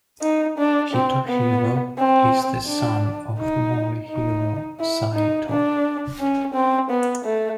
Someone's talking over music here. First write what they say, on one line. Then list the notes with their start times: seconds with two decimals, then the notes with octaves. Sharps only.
Hitohiro is the son of Morihiro Saito.
0.22 D#4
0.58 D4
0.93 C4
1.28 B3
1.98 C4
2.68 D4
3.39 D#4
4.09 D#4
4.80 E4
5.15 D#4
5.49 D4
6.20 C#4
6.54 C4
6.90 B3
7.25 A3